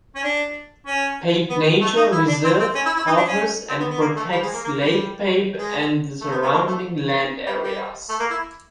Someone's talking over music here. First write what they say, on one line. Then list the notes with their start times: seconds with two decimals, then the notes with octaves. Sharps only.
Pape Nature Reserve covers and protects Lake Pape and the surrounding land areas.
0.15 C#4
0.23 D4
0.86 C#4
1.50 B3
1.81 A3
1.96 D#4
2.12 E4
2.28 D4
2.44 C4
2.59 C4
2.75 C#4
2.86 E4
2.96 E4
3.07 D#4
3.17 D4
3.27 C#4
3.69 C4
3.80 B3
3.90 B3
4.00 A#3
4.16 A3
4.32 G3
4.43 G#3
4.53 A#3
4.63 A#3
4.79 G3
5.58 G#3
6.21 A3
6.31 B3
6.42 B3
6.53 A#3
6.67 A3
7.46 G3
7.63 G3
8.09 A3
8.19 A#3
8.30 E4